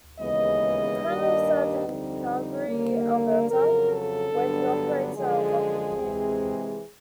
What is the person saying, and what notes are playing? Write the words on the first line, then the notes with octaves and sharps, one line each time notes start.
He currently resides in Calgary, Alberta, where he operates a hockey camp.
D#2 C#3 E3 G#3 B3 D#5
G2 D#3 G3 A#3 D4
F2 D3 G3 C4 D#4
D#2 D3 G3 A#3
F2 C#3 F#3 A#4
A4
G2 D3 F#3 B3 D4
F#2 D3 F3 G#3 G#4
C3 E3 G#3 C4